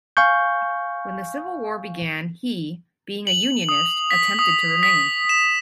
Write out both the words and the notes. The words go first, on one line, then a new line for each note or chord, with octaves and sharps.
When the Civil War began he, being a Unionist, attempted to remain.
F5 G#5 C#6 G6
F#7
D#6
B6
D#6
B6
E7